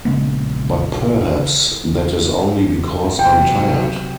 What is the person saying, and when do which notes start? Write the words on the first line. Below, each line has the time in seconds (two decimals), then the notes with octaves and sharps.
But perhaps that is only because I’m tired.
0.05 A#1 C#3 G#3 B3
3.19 C3 F#3 G5